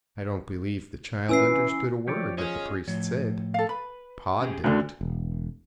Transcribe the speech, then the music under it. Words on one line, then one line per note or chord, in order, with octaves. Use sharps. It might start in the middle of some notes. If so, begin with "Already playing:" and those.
I don't believe the child understood a word that the priest said; Pod didn't.
C#4 E4 B4 G#5 E6 C7
F3 G4 C#5 D5
C#4 F4 G#4 D#5
A2 F3 C#5
A4 F5
B4 B5
C#4 G4 G#4
D2 D3 C#4 F#4 A#4
E1